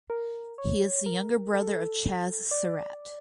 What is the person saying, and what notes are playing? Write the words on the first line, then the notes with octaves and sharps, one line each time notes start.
He is the younger brother of Chazz Surratt.
A#4
C#5
A#4
A4
D5